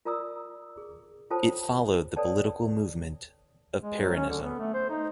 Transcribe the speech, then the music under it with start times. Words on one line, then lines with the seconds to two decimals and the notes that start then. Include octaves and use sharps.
It followed the political movement of Peronism.
0.05 F4 A#4 D5 A#5 D#6 E6
0.77 G#4
1.31 F4 A4 C5 C#5 G5 A5
2.16 A4 B4 C#5 D5 G5 A5
3.82 G#3
4.00 F#3
4.15 C#4
4.29 D3
4.42 B3
4.59 A3
4.74 C5
4.90 D#4